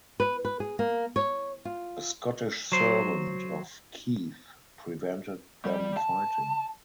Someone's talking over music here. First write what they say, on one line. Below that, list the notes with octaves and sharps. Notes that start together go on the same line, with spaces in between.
A Scottish servant of Keith prevented them fighting.
B4
B4
G#4
A#3
C#5
F4
F#3 C5
G3
A5